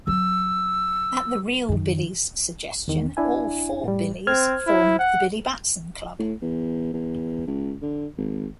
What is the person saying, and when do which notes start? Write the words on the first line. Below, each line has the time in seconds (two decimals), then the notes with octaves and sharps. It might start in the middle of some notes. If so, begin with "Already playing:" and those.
At the "real" Billy's suggestion, all four Billys form the Billy Batson Club.
0.07 F#3 C4 E6
1.69 F#2 D#3
2.88 E2 D#3
3.17 D4 E4 G#5
3.84 A2 G3
4.27 C4 C5 F6 G#6
4.67 E4
4.99 F#5
6.19 A2
6.42 E2
6.94 E2
7.47 C#2
7.82 D3
8.17 G#1